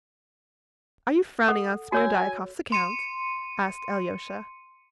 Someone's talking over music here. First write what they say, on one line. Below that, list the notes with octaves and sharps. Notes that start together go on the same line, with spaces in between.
"Are you frowning on Smerdyakov's account?" asked Alyosha.
A4 F#5
F#4 C#5 G#5 E6
C6 C#7 D#7